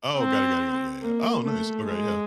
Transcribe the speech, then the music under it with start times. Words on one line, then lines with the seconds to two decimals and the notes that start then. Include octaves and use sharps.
Oh, got it, got it, yeah, yeah. Oh nice, okay, yeah.
0.18 C4
1.02 A#3
1.44 A3
1.86 G#3